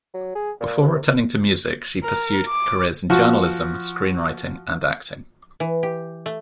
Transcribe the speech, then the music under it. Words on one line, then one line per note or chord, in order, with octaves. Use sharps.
Before returning to music, she pursued careers in journalism, screenwriting and acting.
F#3
G#4
A#2
C3
A#4
D6
F3 F#4
E3
G4
A3